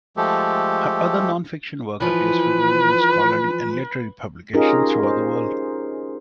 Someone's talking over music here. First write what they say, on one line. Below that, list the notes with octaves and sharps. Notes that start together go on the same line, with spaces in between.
Her other nonfiction work appears frequently in scholarly and literary publications throughout the world.
F3 G#3 A3 G4 A4
E3 F3 B4
C#4 D#4 F4 G4 G#4 A#4
C5